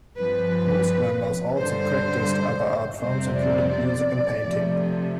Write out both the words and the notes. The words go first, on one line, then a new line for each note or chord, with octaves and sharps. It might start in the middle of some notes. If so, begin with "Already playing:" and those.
Most members also practiced other art forms including music and painting.
G2 F3 C4 B4
G2 D3 G3 C5
F2 C3 G3 C4 C5
D5
D5
C3 F3 A3